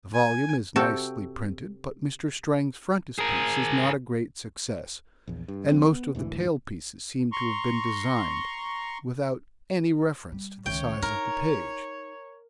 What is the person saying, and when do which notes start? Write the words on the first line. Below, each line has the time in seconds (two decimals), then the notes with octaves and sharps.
The volume is nicely printed, but Mr. Strang's frontispiece is not a great success, and most of the tail-pieces seem to have been designed without any reference to the size of the page.
0.14 G#5
0.76 C3 C4 F#4 A4 G5
3.19 G#4 A#4
5.27 A#1 E2
5.48 G2
5.72 D2 F3 G#3 C4
5.92 B3
6.15 E1 D2 G#2 E3
7.32 A#5 C6 C#6
10.32 G3
10.66 C#2 D#3 C#5 G5
11.02 D#4 A#4